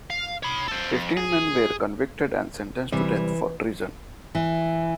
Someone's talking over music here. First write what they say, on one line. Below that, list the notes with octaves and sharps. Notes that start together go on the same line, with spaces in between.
Fifteen men were convicted and sentenced to death for treason.
F5
C#5 B5
A4 C5
F2
G#4
C3 E3 G3
E3